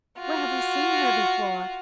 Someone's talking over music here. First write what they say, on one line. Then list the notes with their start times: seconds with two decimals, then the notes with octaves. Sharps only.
Where have I seen her before?
0.20 F4 F#4